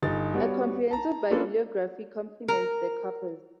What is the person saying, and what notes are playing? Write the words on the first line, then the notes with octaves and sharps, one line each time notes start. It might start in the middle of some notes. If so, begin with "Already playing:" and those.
A comprehensive bibliography complements the corpus.
G1 D#4 G4 A6
G3 B3 F#4 B4 C#5
A5 A#5
A#3 C#4 D4 F4 A4 B4
A#4